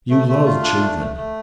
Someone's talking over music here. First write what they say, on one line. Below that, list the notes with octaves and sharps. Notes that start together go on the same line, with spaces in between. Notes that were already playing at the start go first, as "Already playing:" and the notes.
You love children.'
A3
A3
F4
D4
A3
A3
A3